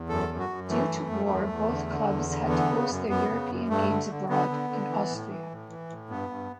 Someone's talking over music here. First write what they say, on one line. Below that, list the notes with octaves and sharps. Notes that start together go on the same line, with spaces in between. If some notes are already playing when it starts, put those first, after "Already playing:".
Due to war both clubs had to host their European games abroad, in Austria.
Already playing: E2
F#2 A4
F#2
F#4
F#2
E3 A3
F#2
F#2
E2
E2
D3
D3
E2
D3
E3 B3
C#3
F#2
F#2 B3
C#3
F#2
G2 A3
D3
D3
D3 B3
D3
D3
E3
A2
E3
A2
E3
A2
G2 B3
G2